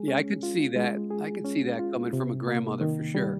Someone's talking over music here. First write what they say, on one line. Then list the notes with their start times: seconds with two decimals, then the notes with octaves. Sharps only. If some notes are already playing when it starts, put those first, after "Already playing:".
Yeah, I could see that. I could see that coming from a grandmother, for sure.
Already playing: G#3 G#4
0.08 C#4
0.43 F4
0.76 G#3
1.11 G#4
1.45 C#4
1.79 F4
2.13 C3
2.47 A#3
2.81 D#3
3.15 G3